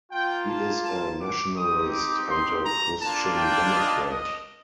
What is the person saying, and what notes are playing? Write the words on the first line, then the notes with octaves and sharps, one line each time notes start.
He is a nationalist and a Christian Democrat.
A#3 F4 G5
A5
A5
D6
C4 D#4 G4 D#6
D6
C6
A#5
A#3 D4 F4 A5
G5
D#5
D#5